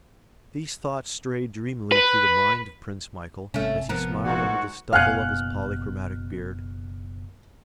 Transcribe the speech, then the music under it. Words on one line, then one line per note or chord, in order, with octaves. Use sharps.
These thoughts strayed dreamily through the mind of Prince Michael, as he smiled under the stubble of his polychromatic beard.
B4
G#1 C3 A3 C#4
F3 B3 A#4
G#2 D#3 F#4
F#1 B2 F5 F#5 G#5 F6 F#6